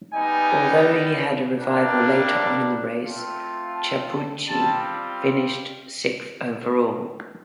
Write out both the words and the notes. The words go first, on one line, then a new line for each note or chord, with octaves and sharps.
Although he had a revival later on in the race, Chiappucci finished sixth overall.
G3 B3 D#4 G#5
G3 A#3 D4
A3 C4 F4
A5
A5
G3 C4 F4 A5